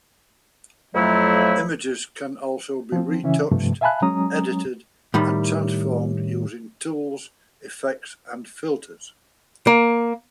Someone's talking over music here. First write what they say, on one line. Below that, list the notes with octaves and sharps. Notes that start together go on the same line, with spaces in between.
Images can also be retouched, edited, and transformed using tools, effects and filters.
F2 F#3 A3 E4
F3 C4
C#3 E3 C#4 E5
G2 C3 F3 A3
E5 F5 G#5 A5 B5 F#6
F#3 G#3 C#4 A#5 D#6
A2 D#3 G3
A#3